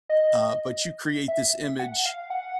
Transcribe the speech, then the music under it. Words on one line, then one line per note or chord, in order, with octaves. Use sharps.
uh, but you create this image
D#5
E5
F#5
F5
F#5